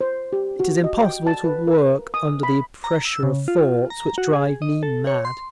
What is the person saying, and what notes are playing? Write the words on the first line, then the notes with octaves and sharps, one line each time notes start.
It is impossible to work under the pressure of thoughts which drive me mad!
C5
G4
F#4
D#5
G5
A5
B4
A#4
D#6
B5
A#5
E6
C#3
F4
A#5
F#4
G#4
D#5
A4
C#5
C6